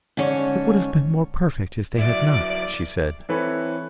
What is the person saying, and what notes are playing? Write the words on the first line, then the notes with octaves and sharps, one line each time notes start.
"It would have been more perfect if they had not," she said.
G#2 D3 C#4 C#5
F#3 E4 D5
E3 C4 A4 B4 C#5